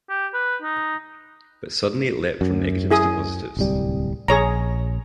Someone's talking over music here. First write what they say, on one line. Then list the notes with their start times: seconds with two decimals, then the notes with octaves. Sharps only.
But suddenly it leapt from negatives to positives.
0.10 G4
0.34 B4
0.62 D#4
2.41 F#2
2.90 E4 G#4 D#6
3.57 D1 C2 G3
4.28 A#1 G#4 C#5 A#5